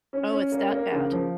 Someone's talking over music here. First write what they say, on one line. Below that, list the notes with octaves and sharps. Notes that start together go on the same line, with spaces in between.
Oh, it's that bad?
C#4
C#4
A#3
A#3
C#3
F3